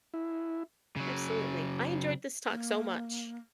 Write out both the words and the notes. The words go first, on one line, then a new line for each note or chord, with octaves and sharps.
Absolutely. I enjoyed this talk so much.
E4
C#3 F#3
A#3